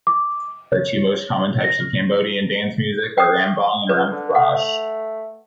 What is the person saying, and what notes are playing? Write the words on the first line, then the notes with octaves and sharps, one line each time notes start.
The two most common types of Cambodian dance music are ramvong and ramkbach.
D6
C#5
A#6
G5 D#6
C#2 B4
D3
A3 F#5